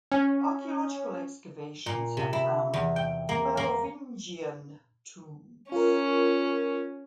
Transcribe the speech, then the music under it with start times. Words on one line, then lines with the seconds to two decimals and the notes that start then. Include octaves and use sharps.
Archaeological excavations have found Merovingian tombs.
0.12 C#4
1.86 A#2
2.17 C3
2.33 E4
2.74 E2
2.96 G5
3.29 A#3
3.57 A#3
5.72 C#4 F4 A#4